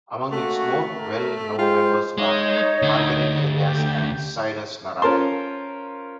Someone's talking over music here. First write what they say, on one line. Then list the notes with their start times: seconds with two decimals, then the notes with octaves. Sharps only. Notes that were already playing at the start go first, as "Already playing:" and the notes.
Among its more well known members are Margaret Elias and Sirus Naraqi.
0.32 A3 A#3 C#4 F#4
0.98 A#4
1.58 G#3 F4 C5 G5
2.18 G#3 D#4 C#5
2.82 D2 D3
3.57 G4
5.02 C#4 F4 A#4 C5 A5 C6